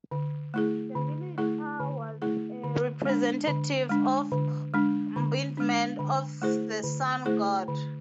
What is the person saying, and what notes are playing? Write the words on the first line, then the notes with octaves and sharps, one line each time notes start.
The Minotaur was a representative or embodiment of the sun-god.
D3
A3 E4 G#4
D3
A3 E4 G#4
D3
A3 E4 G#4
D3
G#3 D4
D3
G#3 D4
D3
G#3 D4
D3
G#3 D4
D3
A3 E4 G#4 C5
D3
A3 E4 G#4 C5
D3